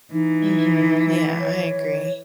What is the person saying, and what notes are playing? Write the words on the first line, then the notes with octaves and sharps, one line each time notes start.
Mhm. Yeah, I agree.
E3 D#4
C#5